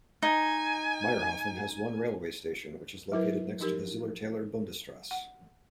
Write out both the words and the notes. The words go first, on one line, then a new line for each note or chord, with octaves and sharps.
Mayrhofen has one railway station, which is located next to the Zillertaler Bundestrasse.
D#4 G#5
F#3 E4 A#4 B4
F3 D#4 G4 A#4
F#5